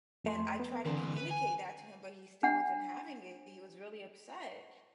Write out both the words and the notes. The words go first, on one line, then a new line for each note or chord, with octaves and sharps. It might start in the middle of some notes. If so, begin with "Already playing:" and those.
And I tried to communicate that to him, but he still wasn't having it, he was really upset.
F2 A3 C6
B3
D3 E3 C4
B4
G#5
D4 F#5